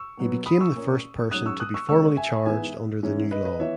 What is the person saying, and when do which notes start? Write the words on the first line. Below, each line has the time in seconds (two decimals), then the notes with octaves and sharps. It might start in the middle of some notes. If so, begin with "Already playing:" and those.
He became the first person to be formally charged under the new law.
Already playing: C#6 E6
0.18 B2 F#3 B3
0.46 B5 D#6
0.60 C#6 E6
0.74 A#2 A#3 C#4
1.31 G#2 F#3 C#4 D#6 F#6
1.46 C#6 E6
1.60 D#6 F#6
1.74 C#6 E6
1.89 C#3 G#3 C#4 C#6 E6
2.17 E5 G#5
2.46 G#2 E3 B3 E5 G#5
3.03 G#2 E3 G#3 C#4
3.31 B4 D#5
3.45 B4 D#5
3.60 E3 B3 C#5 E5